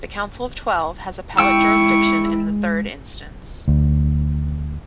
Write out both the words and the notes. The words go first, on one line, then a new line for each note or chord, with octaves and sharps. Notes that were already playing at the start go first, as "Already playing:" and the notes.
The Council of Twelve has appellate jurisdiction in the third instance.
G#3 E4 G5 C#6 E6
D2